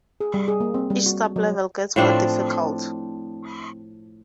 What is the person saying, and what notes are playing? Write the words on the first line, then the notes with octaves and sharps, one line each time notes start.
Each sublevel gets more difficult.
G#4
G3
G#4
A#3
C4
G3
F#4
F#3
A2 F3 C4 D4